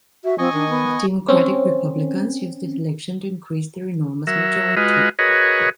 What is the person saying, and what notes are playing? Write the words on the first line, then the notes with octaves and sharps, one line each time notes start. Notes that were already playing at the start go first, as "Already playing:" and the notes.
The Democratic-Republicans used this election to increase their enormous majority.
F#4 E5
F3 C4 D#5 G#5 C#6
D#3 D4
B3
C4 C#4
F#3 A#4 E5
G#3 F4 F#4 B4 D#5
F#4 G#4 A#4 B4 C#5 D#5